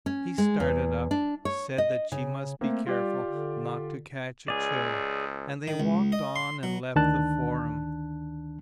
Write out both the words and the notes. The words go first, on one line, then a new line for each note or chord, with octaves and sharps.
He started up, said that she must be careful not to catch a chill; and they walked on and left the Forum.
C#4
G#3
E2
D4
C#5
D#5
C#3
A3 A#3 C4
G3 F4 G4 D5
D3
C#2 G#4 D5
D#3
C#2
D#5
C6
F#3
D2 D#3 D4 A5 F#6